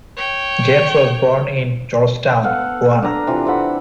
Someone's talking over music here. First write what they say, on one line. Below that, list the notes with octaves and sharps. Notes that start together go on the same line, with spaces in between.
James was born in Georgetown, Guyana.
C#5 G5
B3 A4 F5 F#5
D4 B4 A#5
C3 E3 F3 F4
C4 A4 F#5 B5